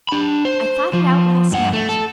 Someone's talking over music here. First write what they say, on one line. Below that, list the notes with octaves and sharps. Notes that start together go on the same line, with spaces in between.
I thought it out last night.
D4 B5
C5
F3
G2 F#5
A3
A4